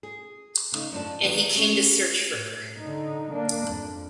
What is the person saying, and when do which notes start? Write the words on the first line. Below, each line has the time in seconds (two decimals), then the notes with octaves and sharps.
And he came to search for her.
0.03 G#4
0.72 C#3 A3 D#4
0.92 F#2 F3 C4 D4 A5
1.21 D3 D#3 F3 F#3 B3 D4
1.56 C#4
2.31 A2
2.80 D3 D#4
3.32 A#3 D4
3.68 F2